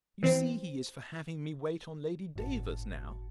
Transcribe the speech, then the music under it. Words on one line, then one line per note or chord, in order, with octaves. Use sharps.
You see he is for having me wait on Lady Davers now.
E3 C4
G1 A2 F#4 A5